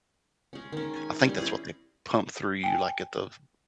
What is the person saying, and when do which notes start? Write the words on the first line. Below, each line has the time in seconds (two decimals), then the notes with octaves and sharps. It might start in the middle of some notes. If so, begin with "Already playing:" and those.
I think that's what they pump through you, like, at the f
0.53 G#3 C#4
0.72 D#3 C#4
0.96 G#5
1.22 G3 C#4
1.38 C4 E4 G#4
2.64 G5 G#5